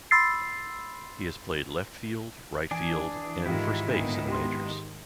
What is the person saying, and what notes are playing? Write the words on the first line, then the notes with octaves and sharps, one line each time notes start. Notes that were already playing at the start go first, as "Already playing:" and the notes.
He has played left field, right field, and first base in the majors.
B5 C6 E6 A6 C7
E3 D4 G#4 G#5 D7
G#2 D#3 G#3 E4 F4 G4
G1 A#2 B3 E7
G4 C6